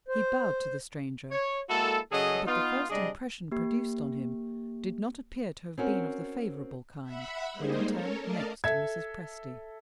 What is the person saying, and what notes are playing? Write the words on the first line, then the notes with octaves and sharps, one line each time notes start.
He bowed to the stranger; but the first impression produced on him did not appear to have been of the favorable kind, when he turned next to Mrs. Presty.
C5
C#5
G#3 A#3 E4 F#4 A4
F#2 C#3 F#3 G#4 A4 D#5
B3 D#4 F4
C3 G3 D4 G#4 D#5
A#3 G4
C4 C#4 F#4 A#4
E5 F#5 B5
G3 G#3 A#3 D#4 G#4 C5
C#4 A4 A#4 C#5
A3 A#4 D5 D#5 F5 A5
A4 E5 G#6